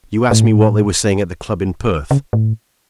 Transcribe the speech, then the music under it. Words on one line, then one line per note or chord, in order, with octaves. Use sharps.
You ask me what they were saying at the club in Perth.
A2
C#3
A2